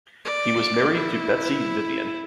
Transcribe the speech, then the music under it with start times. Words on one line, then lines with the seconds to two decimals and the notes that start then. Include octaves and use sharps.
He was married to Betsy Vivian.
0.25 D5
0.94 E4